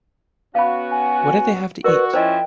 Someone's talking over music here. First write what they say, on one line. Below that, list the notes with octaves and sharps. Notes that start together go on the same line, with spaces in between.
What did they have to eat?
B3 C#4 F#4 F5 B5
G#5
F#4 A#4 B4 D5 C6
F3 C#4 E4 C5 D#5 G5